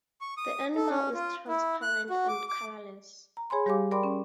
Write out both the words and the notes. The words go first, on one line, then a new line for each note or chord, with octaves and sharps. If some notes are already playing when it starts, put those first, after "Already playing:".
The animal is transparent and colourless.
C#6
D#6
A4
C#4
F4
E4
F#6
F#4
D6
D6
A#5
G#4 C#5 G#5 B5 C6
G3 G4 C#5 F5 G#5 D6
A#4 D5 G5 B5 C6 D6
C#4